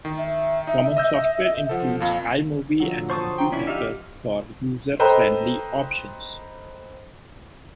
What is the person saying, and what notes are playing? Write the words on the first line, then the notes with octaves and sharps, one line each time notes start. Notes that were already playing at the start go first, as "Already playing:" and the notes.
Common software includes iMovie and Movie Maker for user-friendly options.
D#3 D#4
E5
D#4
D#5 E6 G6
F3 A4 F#5
F2 A#2 F5
D3 F3 F#3
C5 A5 C#6 D#6
G5 A#5
C#4 D4 E4 D5
D#4 G4 E5 F5
A4 B4 C5 D#5 G5 A#5